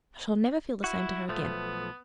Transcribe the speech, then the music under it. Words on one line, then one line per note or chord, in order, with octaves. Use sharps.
I shall never feel the same to her again.
E4 F#4
B1 F3 A3 B3